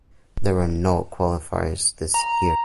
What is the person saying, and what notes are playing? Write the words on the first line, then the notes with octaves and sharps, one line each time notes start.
There were no qualifiers this year.
A#5